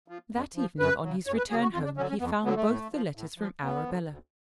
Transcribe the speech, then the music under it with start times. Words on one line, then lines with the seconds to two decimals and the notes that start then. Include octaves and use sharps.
That evening on his return home he found both the letters from Arabella.
0.08 F3
0.32 F2
0.56 F3
0.79 F#2 B4
1.03 C#3 F#3
1.27 F#2 C#5
1.38 B4
1.50 F#3 G#4
1.53 C#3
1.62 F#4
1.73 F2 F4
1.85 D4
1.97 D3 F#3 C#4
2.09 C#4
2.20 F2 B3
2.44 D3 F#3 B3
2.56 A3
2.68 A2
2.92 F3
3.15 A2
3.38 F3
3.61 D2 B3
3.86 D3 F3
4.08 D2